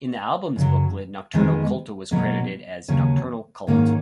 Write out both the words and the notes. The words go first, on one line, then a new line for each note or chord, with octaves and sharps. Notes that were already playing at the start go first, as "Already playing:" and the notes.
In the album's booklet, Nocturno Culto was credited as "Nocturnal Cult".
F#2 C#3 F#3
F2 D#3 G#3 B3 D#4
B2 F#3 A#3 C#4
D#2 C#3 F#3 C#4
G#2 D#3 A#3 C#4